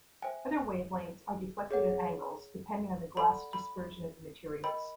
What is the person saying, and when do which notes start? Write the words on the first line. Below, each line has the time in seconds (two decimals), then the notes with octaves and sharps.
Other wavelengths are deflected at angles depending on the glass dispersion of the materials.
0.22 C5 E5 G5 G#5
1.71 G#4 C#5 F#5
3.17 A4 D5 F#5 B5
3.53 B5
4.64 A#4 D#5 G5 B5